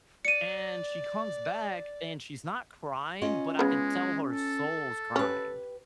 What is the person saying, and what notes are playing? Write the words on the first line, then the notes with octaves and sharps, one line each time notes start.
And she comes back, and she's not crying, but I could tell her soul's crying.
D5 C#7 D#7
C#4 F4 D#5
C#3 G#3 B3
A4
C#4 G4 B4